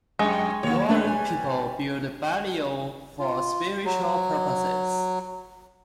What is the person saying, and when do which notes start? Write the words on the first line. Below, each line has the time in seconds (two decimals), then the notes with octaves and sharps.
Nualu people build Baileo for spiritual purposes.
0.19 F2 G#3
0.63 D#2 A#3 C#5
0.89 G3 A3 D4 A#4 B4
1.05 C#5 G#5
3.19 F4
3.85 F#3